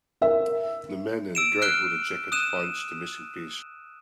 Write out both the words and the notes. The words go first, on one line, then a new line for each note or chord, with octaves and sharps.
The man in the gray hooded jacket finds the missing piece.
A#4 E5
E6 D7 E7
F6 F#6 C7 D7 G7
D#6 F#6 D#7 E7